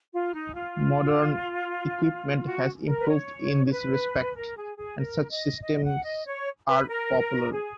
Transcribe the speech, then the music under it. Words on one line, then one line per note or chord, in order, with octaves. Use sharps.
Modern equipment has improved in this respect, and such systems are popular.
F4
D#4
F4
F#4
A#4
B4
C#5
C#5
B4
A#4
G#4
G#4
A#4
D#5
D#5
F#5
D#5
C#5
B4
A#4
G#4